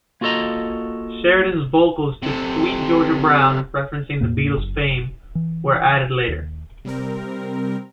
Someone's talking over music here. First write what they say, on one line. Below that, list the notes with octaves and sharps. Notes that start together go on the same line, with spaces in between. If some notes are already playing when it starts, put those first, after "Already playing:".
Sheridan's vocals to "Sweet Georgia Brown", referencing the Beatles' fame, were added later.
A#3 F4 F#4 A4 D#5 A#5
C3 A4
E2 A2 A#3
F#1
E3
D#2
C3 G3 C4 A#4